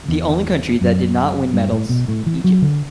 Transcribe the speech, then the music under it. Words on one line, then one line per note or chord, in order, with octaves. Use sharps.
The only country that did not win medals-Egypt.
E2
F#2
G2
A2
B2
A2
E3
F#3
D3